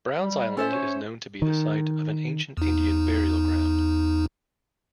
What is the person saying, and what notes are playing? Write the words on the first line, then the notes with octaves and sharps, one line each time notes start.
Browns Island is known to be the site of an ancient Indian burial ground.
G3
C#4 A4 C5 E5
C#5
D#3
E2 D#4